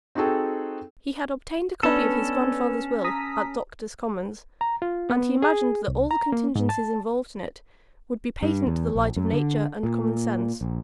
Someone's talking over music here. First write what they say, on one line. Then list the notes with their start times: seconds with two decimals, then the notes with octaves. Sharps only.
He had obtained a copy of his grandfather's will at Doctors' Commons, and he imagined that all the contingencies involved in it would be patent to the light of nature and common sense.
0.15 C4 D#4 F#4 G#4 A4 G5
1.83 B3 C#4 D4 A4 B4
3.04 A#5 D#6 B6
4.61 A#5
4.82 F4
5.10 B3
5.42 G#4
5.88 C2
6.11 A#5
6.32 A#3
6.55 G#2
6.69 A5
8.42 G2
8.67 E2
8.95 A#1
9.16 F#2
9.33 D3
9.83 A#2
10.61 A#1